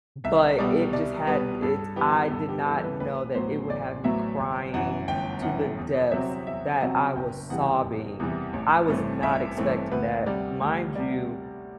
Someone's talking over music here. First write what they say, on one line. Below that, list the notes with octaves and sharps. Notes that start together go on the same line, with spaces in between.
but it just had it I did not know that it would have me crying to the depths that I was sobbing, I was not expecting that. Mind you,
C2 E5
B2 G3 B3 D5
C2 D5
B2 G3 B3 B4
G2 A4
E3 B3 G4
G2 A4
G4
E3 B3 A4
B4
A1 B4
A2 F#3 B3 C5
A1 D5
A2 F#3 B3 E5
G1
F#2 E3 F#5
G1 G5
F#2 E3 F#5
E2
C3 F#3 C4 E5
E2 E5
C3 F#3 C4 F#5
F#1 G5
E2 C3 E3 G3 F#5
F#1
E2 C3 E3 G3
A1
G2 E3 A3 C4
A1 E5
G2 E3 A3 C4
D2 B4
C3 G3 D5
D2
C3 G3 D5